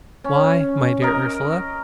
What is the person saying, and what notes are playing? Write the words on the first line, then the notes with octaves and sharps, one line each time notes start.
"Why, my dear Ursula?"
C#4
A#4 D#5